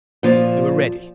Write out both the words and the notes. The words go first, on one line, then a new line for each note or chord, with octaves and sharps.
We were ready.
A#2 F3